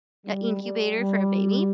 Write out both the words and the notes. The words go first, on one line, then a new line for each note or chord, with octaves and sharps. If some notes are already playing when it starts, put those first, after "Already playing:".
an incubator for a baby,
G3
G3
G3